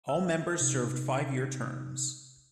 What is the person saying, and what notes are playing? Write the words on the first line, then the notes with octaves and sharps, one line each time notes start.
All members served five-year terms.
E6
C3 D#4